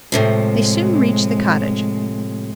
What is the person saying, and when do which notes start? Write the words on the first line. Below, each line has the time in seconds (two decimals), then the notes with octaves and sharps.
They soon reached the cottage.
0.12 A2 C3 F3 G#3